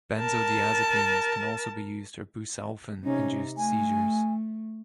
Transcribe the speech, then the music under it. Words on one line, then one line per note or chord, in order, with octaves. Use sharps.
Benzodiazepines can also be used for busulfan-induced seizures.
A#4 A5
C3 C#4 D#4
A3 G#5